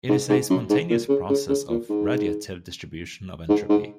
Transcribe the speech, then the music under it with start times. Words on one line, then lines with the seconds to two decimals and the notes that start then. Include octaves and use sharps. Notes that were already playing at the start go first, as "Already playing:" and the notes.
It is a spontaneous process of radiative distribution of entropy.
0.09 G#2
0.29 G#2
0.50 F#2
0.70 G#2
0.90 A#2
1.09 C#3
1.29 C#3
1.49 C#3
1.70 A#2
1.89 G#2
3.49 G#2
3.69 G#2